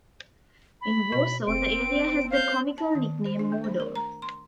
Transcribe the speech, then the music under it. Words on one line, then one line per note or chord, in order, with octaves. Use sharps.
In Warsaw the area has the comical nickname Mordor.
B5
B2
F1 C4 D7
C5 F5 G6
A5
D#3
C5
D4
A3
C5
A#4
A#5
C6